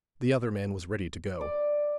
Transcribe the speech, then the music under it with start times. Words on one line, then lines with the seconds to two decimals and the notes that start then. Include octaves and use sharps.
The other man was ready to go.
1.41 D5